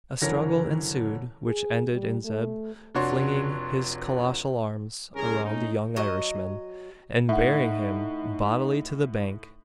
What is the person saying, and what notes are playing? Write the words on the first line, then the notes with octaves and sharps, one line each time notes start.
A struggle ensued, which ended in Zeb flinging his colossal arms around the young Irishman, and bearing him bodily to the bank.
F#1 D3 E3 A#4 C#5 A#6
G#4
G3
A3
F1 D4 F#4 C#5 C6
C2 C#4 G#4 A#4
A3 C#4 D#4
F#3 D#5
A2 D#4 E5 F#5